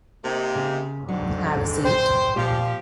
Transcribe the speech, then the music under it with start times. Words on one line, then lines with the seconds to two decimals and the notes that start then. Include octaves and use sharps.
Have a seat.
0.24 C3 A#3 D#4
0.55 C#3
1.09 G#2 D3 F#3 C4
1.85 A#2 C5 G5
2.36 A#2 F3 G4 F5